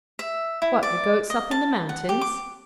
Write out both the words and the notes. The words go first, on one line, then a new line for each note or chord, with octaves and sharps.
"What, the goats up in the mountains?"
E5
E4
D5
D#5
A5
F#5
G4
D6